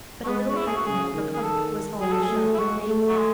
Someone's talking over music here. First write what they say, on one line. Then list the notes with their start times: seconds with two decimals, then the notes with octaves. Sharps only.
But a little heightening of her color was all the show it made.
0.24 A3
0.28 G#3 B3
0.49 F#4
0.56 E4
0.66 G#4
0.76 F#4
0.86 C#3 G#4
1.14 D#3
1.34 G#4
1.43 A4
2.01 F#3 G#4
2.12 A4
2.22 G#4
2.29 A3
2.54 E4
2.58 G#3 F#4
2.87 A3
3.07 F#3
3.17 G#3